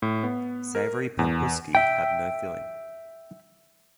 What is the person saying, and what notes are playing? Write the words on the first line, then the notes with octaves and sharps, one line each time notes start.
Savoury pampusky have no filling.
A2
B3
A#4
E2
E5 G5